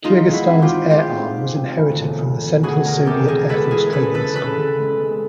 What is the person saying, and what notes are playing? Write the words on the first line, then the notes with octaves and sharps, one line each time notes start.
Kyrgyzstan's air arm was inherited from the central Soviet air force training school.
G#3 D#4 F4
G#3
E4 F#4
C4
F4 G4
G#2
G#3 F4 G4
C4
G#2
C4
D2
E1
E1
E1
D2 F#4 G#4
E1 G#4 A#4
C3 G4 A4
D2 G#4 A#4
G#3 A4 B4
E3 G#4 A#4
C#4 A4 B4
C#3 A4 B4
C#4 A4 B4
C#3
G#3
G#3